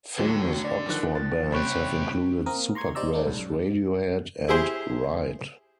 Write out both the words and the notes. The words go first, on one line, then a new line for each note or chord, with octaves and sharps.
Famous Oxford bands have included Supergrass, Radiohead and Ride.
D#2 A2 D3 F#3
D5
D#3 F3 F#6
A6
C2 C#4 G4 C5 B5 C#6 F#6
A#3 C4 A#4 D#6
A#5 C6 C#6 G#6
G3 D#4 C5 D5 A#5 E6
G#3 A#3 C#4 D4
B1 G#2
F#2
E4 G4 G#4 C5